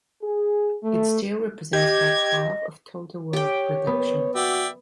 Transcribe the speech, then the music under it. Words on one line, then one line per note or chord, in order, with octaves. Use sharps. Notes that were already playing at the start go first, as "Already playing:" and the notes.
It still represents about half of total world production.
G#4
A3
G4 D#5 G#6
G4 C#5 G5
B3
F#4 D5 E5 G5